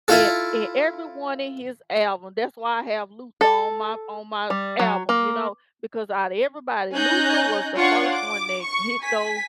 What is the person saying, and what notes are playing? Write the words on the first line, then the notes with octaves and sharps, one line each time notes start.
a and everyone in his album that's why I have Luther on my on my album, you know, because out of everybody, Luther was the first one that hit those
E4 F4 A4
A4
G3
F#3
A#3
C#4 D#4 G#5 F#6 G6 A#6
D4 F4 C#5 F#5 C6 C#6
D6
C#6
G#5 B6